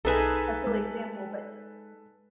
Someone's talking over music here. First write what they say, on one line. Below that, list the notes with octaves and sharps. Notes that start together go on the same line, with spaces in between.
a silly example, but
B1 D#4 G#4 A4 B4 E5 G#5
G#3